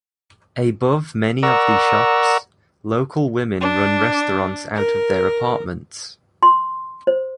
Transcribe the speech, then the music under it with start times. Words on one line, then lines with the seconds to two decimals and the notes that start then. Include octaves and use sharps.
Above many of the shops, local women run restaurants out of their apartments.
1.43 A#4 D5 F#5 A#5 C#6 E6
3.62 D4
4.75 A#4
6.43 C6
7.07 C5